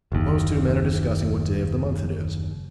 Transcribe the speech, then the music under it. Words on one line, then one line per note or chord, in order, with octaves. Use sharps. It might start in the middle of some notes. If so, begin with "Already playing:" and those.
Suppose two men are discussing what day of the month it is.
F#1 D#2